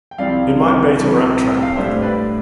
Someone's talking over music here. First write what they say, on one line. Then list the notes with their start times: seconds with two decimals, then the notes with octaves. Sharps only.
It might bait a rat-trap.
0.11 G5
0.18 C2 C3 F3 C4 E4 D5 F5
0.97 C2 C3 F3 C4 E4
1.48 G5
1.62 F5
1.76 A2 G3 D4 C5 E5
2.02 B4 D5